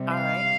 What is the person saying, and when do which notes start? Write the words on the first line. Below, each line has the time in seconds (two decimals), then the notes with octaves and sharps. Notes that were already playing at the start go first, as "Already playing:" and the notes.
All right.
Already playing: C3 G3
0.13 F5